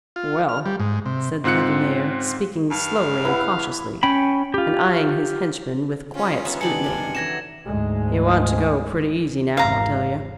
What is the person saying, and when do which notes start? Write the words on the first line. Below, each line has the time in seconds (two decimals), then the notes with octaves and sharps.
"Well," said the heavy mayor, speaking slowly and cautiously and eyeing his henchman with quiet scrutiny, "you want to go pretty easy now, I tell you."
0.16 F4
0.49 F6
0.66 G3
0.80 G#2
1.06 C3
1.44 G#2 C4 F4 F#6 C#7
2.71 G2 F5
3.25 E4 B4 F#5
4.03 C#4 G5 B5
4.54 F4 G4
6.14 C4 C#4 F4
6.45 B3 D#4 G#4 B4 E5 A#5
6.61 C3 D#3 D4 A4 D5 G#5 C#7 F#7
6.84 F#2 G#3 A4
7.15 D3 E3 F#3 G4 G#6 A#6 E7
7.65 D2 G#2 G#3
9.57 G#1 E2 F5 A#5